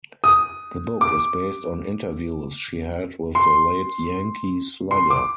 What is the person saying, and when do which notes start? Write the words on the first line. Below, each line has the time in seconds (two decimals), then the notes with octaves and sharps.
The book is based on interviews she had with the late Yankee slugger.
0.24 D#6
1.01 D6
3.35 C6
4.91 C6
5.10 D6